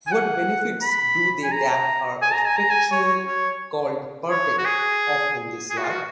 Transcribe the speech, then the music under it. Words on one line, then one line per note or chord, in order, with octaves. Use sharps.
What benefits do they that are effectually called partake of in this life?
G#5
F#5
B5
G#5
A#5
G#5
A#5
G#5
A#5
G#5
C#5
C#5
C#5
F#4
G#4
G#4
F#4
F4
F#4